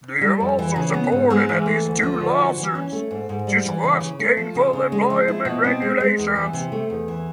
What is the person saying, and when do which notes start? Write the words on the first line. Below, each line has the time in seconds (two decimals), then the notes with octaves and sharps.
They have also supported at least two lawsuits to squash gainful employment regulations.
0.21 G3
0.40 F2
0.59 E3
0.76 C#3
0.94 B3
1.12 G#2
1.30 G#3
1.49 E3
1.66 A3
1.85 D2
2.03 F3
2.20 D3
2.39 F#4
2.57 E3
2.75 C#4
2.92 A3
3.11 G#2
3.29 G#2
3.47 G3
3.66 E3
3.83 C#3
4.01 C#3
4.19 A3
4.37 F3
4.55 C#3
4.73 C#3
4.92 G#3
5.10 F3
5.28 E4
5.45 B2
5.64 C4
5.82 G#3
6.00 G#3
6.18 E2
6.36 E3
6.53 C3
6.72 A3
6.90 E2
7.08 E3